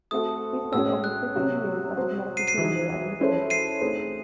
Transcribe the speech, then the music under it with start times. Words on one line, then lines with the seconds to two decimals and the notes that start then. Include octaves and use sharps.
He spent over fifty years of his medical career at Leipzig.
0.11 A3 C4 F#4 A4 D#6
0.73 A2 G#3 C#4 E6
1.04 F#6
1.35 C3 F#3 C#4 F#4
1.96 F#3 C4 F#4 C5
2.37 C7 D#7
2.47 C7 D#7
2.58 E3 G#3 D#4
3.20 G#3 C#4 E4 A4 C5
3.50 C7 D#7
3.81 A3 C4 D#4 G#4 C5